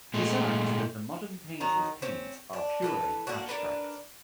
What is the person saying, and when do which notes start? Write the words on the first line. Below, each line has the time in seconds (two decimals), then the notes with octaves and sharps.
Designs that the modern painters paint are purely abstract.
0.14 A#2 G#3 A3
1.60 D#3 F#3 D#4 A#5
2.02 C4 C#4
2.53 D4
2.82 E3 A4 B4
3.27 A#3 C#4 D4 F#4
3.49 D4 A#4 B4